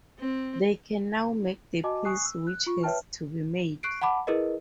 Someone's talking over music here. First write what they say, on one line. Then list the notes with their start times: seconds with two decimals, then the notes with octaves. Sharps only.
They can now make the peace which has to be made.
0.20 C4
1.84 F#4 D#5 G#5 A5 D6
2.05 G#5 C#6 D#6 F#6 C7
2.25 E6
2.47 F#6
2.66 F4 C#6
2.83 B4 C#5 E5 G5 A5 F6
3.83 C#6 F#6 C7 D7
4.02 F#5 A5 B5 D6
4.27 E4 G#4 A#4 B4 D#5